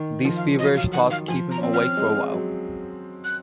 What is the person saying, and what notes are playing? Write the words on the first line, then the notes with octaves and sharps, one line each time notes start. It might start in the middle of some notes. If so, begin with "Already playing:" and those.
These feverish thoughts keep him awake for a while.
Already playing: D#3
F3
F5
F#3 D#5
F5
D#3 F#5
F5
F3 G#5
A#5
C#4
C4
F6
G#3
F#3
F#6